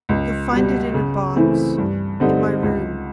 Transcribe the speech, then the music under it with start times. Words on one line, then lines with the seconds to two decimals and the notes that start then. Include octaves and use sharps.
You'll find it in a box--in my room.
0.09 C#2
0.52 B2 G3
0.94 C#3
1.36 E3 A3 C4 E4
1.78 G2
2.20 D3 G3 C4 D#4
2.63 C#2